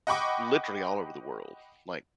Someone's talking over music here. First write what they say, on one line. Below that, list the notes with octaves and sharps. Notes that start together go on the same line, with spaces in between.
literally all over the world, like
D#5 F#5 G5 B5 C#6 D6